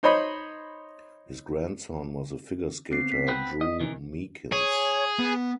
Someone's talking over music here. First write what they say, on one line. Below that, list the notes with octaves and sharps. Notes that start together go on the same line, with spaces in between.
His grandson was the figure skater Drew Meekins.
D#4 C5 C#5 D#5 B5
B3 C4 C7
B6
B3 C4 B4
D#5
C3 D#3 E3
G#4 C#5
B3